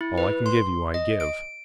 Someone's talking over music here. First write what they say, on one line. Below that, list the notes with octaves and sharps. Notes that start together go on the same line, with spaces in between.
All I can give you I give.
E4
B4
C6
D#5
D7